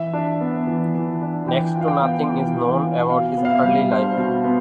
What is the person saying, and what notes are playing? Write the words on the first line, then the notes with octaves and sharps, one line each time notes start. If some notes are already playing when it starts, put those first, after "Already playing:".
Next to nothing is known about his early life.
Already playing: E3 E5
D4
B3
E3
E3
D4
E3 G5
F4
F5
G5
B3
E3
E3
F4
B2 F5
B3
F5
E5
G3
D4 C5
B2
B3